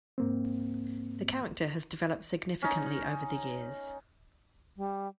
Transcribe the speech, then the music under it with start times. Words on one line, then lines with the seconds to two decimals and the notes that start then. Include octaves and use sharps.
The character has developed significantly over the years.
0.18 G#2 A#3 C4
2.62 C#4 D#4
4.77 G3